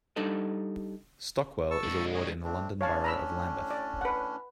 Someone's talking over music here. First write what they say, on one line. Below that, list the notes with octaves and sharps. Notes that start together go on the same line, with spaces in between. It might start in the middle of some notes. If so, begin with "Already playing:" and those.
Stockwell is a ward in the London Borough of Lambeth.
G3 D4 D#4 A4 D#5
A5 C#6 E6
G#3 D4
C#5 D#5
A3 C4 D4
A2 C#4 D4 C#5 F5 A5
A#5 B5 E6
D5
B4 F#5